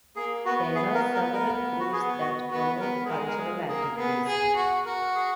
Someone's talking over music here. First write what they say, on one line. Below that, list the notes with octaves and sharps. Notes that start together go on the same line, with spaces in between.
There are several groups that promote cultural activities.
A#3 G#4
B3 F#4
G#4
A#4
A#4
A#4
F#4
B3 G#4
F#4
B3 F#4
B3 A#4
G#4
G#3 A#4
A#4
G#4
A#3 G#4
A#4
B3 G#4
G#4
F#4
F#4 A#4
G#4